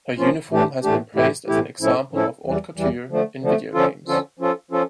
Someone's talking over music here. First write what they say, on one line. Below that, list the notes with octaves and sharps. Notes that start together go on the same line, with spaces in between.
Her uniform has been praised as an example of haute couture in video games.
F3 A#3 C#4 F4
A2 E3 A3 D4 G4
A2 E3 A3 D4 G4
A2 E3 A3 E4 G4
A2 E3 A3 E4 G4
A2 F3 C#4 E4 A4
A2 F3 C#4 E4 A4
E2 E3 G3
E2 E3 G3
D3 F3 A3
D3 F3 A3
D3 F3 C#4 F4 A4
D3 F3 C#4 F4 A4
F3 C#4 F4 A4
F3 C#4 F4 A4